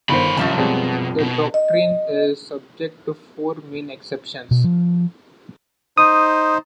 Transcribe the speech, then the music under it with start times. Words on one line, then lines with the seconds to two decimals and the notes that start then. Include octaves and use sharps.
The doctrine is subject to four main exceptions.
0.09 G1 D3 D#3 C5 B5
0.37 F#2 C3 F3 G3 A5
0.58 B2 G3 G#3 C4
1.20 B2
1.54 D#5
4.51 B2
4.64 F3
5.98 D#4 C5 D#6